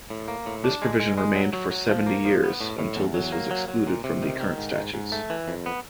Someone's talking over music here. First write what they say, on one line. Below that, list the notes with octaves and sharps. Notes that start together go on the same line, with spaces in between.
This provision remained for seventy years, until this was excluded from the current statutes.
A2
A#3
A2
D4
G#3
G#3
G#3
F#3
F#3
F#3
F3
A#3
F3
B3
A2
A2
E2
F#3
A#3
F#3
F#3
A#2
C3
D#3
D#3
G#2
G#2
G#2
A3
E3
F2
B3